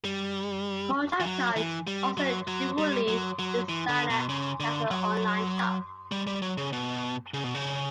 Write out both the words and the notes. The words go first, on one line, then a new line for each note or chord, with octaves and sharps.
Cojocar is also a jewelry designer and has an online shop.
G3
E3
F#3
E3
G3
F#3
F#3
G3
F#3
F#3
E3
D3
B2
C#3
D3
F#3
G3
G3
F#3
C#3
B2
C#3
B2
C#3